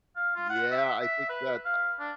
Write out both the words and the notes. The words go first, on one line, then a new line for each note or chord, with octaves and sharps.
Yeah, I think that, uh
F5
F4
F#5
E5
E5
B4
F5
D4